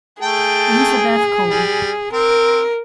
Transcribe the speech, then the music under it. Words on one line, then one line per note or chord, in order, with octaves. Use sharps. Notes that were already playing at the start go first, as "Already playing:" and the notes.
Elizabeth Cole.
A3 G#4 G5 A5
G3
C4 A#4